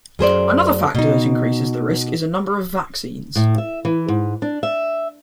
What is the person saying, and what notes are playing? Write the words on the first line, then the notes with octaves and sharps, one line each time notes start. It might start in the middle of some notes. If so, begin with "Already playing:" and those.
Another factor that increases the risk is a number of vaccines.
F#2 G#4 C5 D5
B2 D#4
A2
E5
E3
G#2
D4
E5